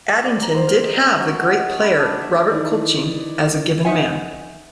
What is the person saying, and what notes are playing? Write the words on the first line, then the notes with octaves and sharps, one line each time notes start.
Addington did have the great player Robert Colchin as a given man.
D5
A#5
C5
A#4
D#5
C#4
F#4
D#5
D#5
B5
D4
E5
D#3 E3 D#4 D5
D#4 E5 F#5 G#5